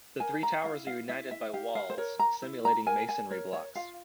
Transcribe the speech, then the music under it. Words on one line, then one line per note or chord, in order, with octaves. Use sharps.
The three towers are united by walls, simulating masonry blocks.
A#4 G#5
A#5
E4 F5
F5
E4 E5
E5
G4 F5
F5
C5
A#4 C#5
A#5
E4
A#5
A#4 G#5
G#5
A#4 C#5
C#5
F4 F5